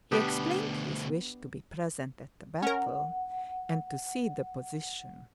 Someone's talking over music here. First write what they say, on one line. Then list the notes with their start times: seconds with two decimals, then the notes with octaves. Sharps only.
He explained his wish to be present at the battle and to see the position.
0.12 D2 B2 B3 D4 G4
2.62 C#4 A#4 F#5